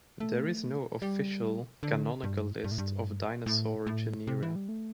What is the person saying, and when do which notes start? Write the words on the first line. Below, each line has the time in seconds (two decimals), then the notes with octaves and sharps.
There is no official, canonical list of dinosaur genera.
0.20 A3
1.02 G3
1.83 D3
2.23 G2
2.64 G2
2.72 A2
2.78 G2
3.46 A2
3.87 A2
4.27 C3
4.43 E3
4.56 G3
4.69 A3